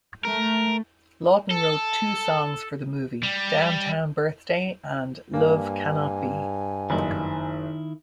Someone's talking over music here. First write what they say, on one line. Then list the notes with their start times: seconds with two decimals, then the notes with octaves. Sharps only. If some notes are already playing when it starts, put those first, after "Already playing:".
Lawton wrote two songs for the movie, "Downtown Birthday" and "Love Cannot Be".
0.25 A3 A#4
1.51 A4
3.23 G3
5.34 G2 A#3 G#5
6.90 F#1 D#3 E4 D#5